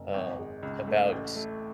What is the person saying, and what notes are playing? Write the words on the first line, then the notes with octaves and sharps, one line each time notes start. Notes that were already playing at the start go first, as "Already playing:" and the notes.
um, about
Already playing: F#1
G#1
G#3
C#2
A3
A1
A3